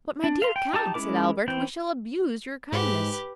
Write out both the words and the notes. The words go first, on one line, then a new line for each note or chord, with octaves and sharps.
"But, my dear count," said Albert, "we shall abuse your kindness."
D4
F5 C6
G5
D#4 G4 A5
G#3 C#4 E4 A#4 D6
E3 C4 G5 G6
G#2 G4 B4